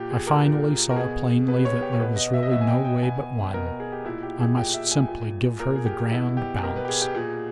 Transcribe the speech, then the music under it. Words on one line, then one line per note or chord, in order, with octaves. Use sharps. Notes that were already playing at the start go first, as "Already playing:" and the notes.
I finally saw plainly that there was really no way but one--I must simply give her the grand bounce.
Already playing: A#2 G4
G#4
A#4
A#2
A#4
B2 G#4
B2 B4
C#5
G4
C#5
B2 B4
D#5
E5
D#5
B2 E5
G#5
G5
G5
B2 G#5
B2 A#4
A#4
G#4
G4
A#2 E4
G4
G#4
A#2 G5
E5
G#5
A#2
A#2 A#4
G#4
G4
B2 E4
G4
B2 A#4
B4
G4
G#4
G4
A#2 G#4